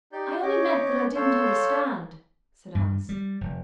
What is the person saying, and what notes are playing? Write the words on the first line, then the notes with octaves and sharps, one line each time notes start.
'I only meant that I didn't understand,' said Alice.
D#4 G4 D5 G6
C#4 C#5 D#5 D6 G6
A4 C#5 F5 C6 E6 G6
G2
G3
F1